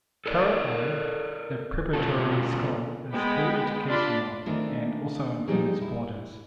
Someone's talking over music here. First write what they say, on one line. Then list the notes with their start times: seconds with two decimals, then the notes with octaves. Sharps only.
Currently, the preparatory school is co-educational and also includes boarders.
0.26 A4 A#4 D5
1.93 B2 C#4 F4 A4
3.12 G#3 B3 G5 B5
3.87 D4 F4 D5 A5 B5 C6
4.46 D#3 E3 A3 C4 D4 F4
5.47 F3 G3 D#4 G4 G#4
5.81 E4